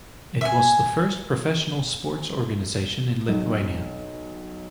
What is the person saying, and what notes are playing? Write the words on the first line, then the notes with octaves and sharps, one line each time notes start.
It was the first professional sports organisation in Lithuania.
E5 G#5
B1